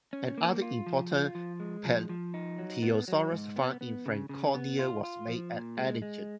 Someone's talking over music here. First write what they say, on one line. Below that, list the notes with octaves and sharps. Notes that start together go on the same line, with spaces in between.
Another important "Plateosaurus" find in Franconia was made at Ellingen.
C#4
A#3
F4
F3
F4
F3
G#3
F3
F3
D#4
F#3
B3
F#3
G#2
B3
B3
C#3
C#3
B3
F4
F4
F3
A#2
G#3
G#3